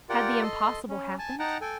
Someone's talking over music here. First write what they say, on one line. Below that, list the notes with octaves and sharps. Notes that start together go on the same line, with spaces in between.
Had the impossible happened?
F4 G4 A#4 D5 F#5 G5
A4 D#5 C6
C#4
G#5 A5
D#4 F#5 G5 A5 A#5
A4 G5 G#5